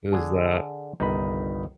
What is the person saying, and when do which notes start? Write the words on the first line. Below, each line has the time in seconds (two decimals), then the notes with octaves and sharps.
it was that.
0.12 D3 G#4
1.00 G1 C2 D#3 D#4 B4 B5